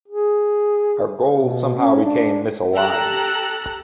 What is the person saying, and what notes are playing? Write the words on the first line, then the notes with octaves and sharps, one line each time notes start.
Our goals somehow became misaligned.
G#4
B2
C#4
D4
G4 A4 A#5 E6 F#6